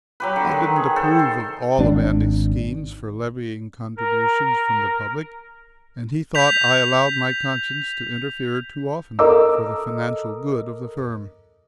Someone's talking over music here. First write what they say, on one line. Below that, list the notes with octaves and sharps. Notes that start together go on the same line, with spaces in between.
I didn't approve of all of Andy's schemes for levying contributions from the public, and he thought I allowed my conscience to interfere too often for the financial good of the firm.
F#3 G4 B4
D3
D#3
G#4
A4 C5 G5
C6
G#1 D4
A#4
G6 B6 F7
A4 A#4 D#5 A#5 D6 E6